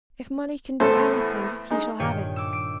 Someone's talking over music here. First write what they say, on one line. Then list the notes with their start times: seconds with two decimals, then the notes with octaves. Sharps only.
"If money can do anything, he shall have it."
0.80 E2 A2 A4 C5
1.71 G#3 D#4
2.00 G2 A#2 D#3 C#5 G5 D#7
2.36 D6 E6
2.53 D7